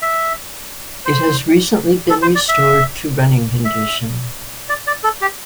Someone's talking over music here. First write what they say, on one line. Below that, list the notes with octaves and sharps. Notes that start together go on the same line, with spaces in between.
It has recently been restored to running condition.
E5
C5
A4
C5
D5
E5
E5
D5
D5
A4
G4